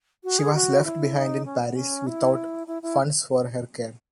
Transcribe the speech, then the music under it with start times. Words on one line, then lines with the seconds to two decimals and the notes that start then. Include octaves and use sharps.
She was left behind in Paris without funds for her care.
0.24 F#4
0.39 G#4
0.54 F#4
0.84 E4
1.15 D#4
1.45 C#4
1.61 B3
1.75 C#4
2.07 E4
2.67 E4
2.82 E4